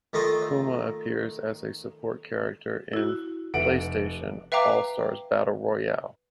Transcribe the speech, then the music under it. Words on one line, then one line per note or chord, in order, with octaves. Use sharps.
Kuma appears as a support character in "PlayStation All-Stars Battle Royale".
D#3 A3 F4 D#5 G5 D#6
E4 F#4
F1 A4 B4 E5 F#5 D7
B4 E5 F5 G5 A#5 D6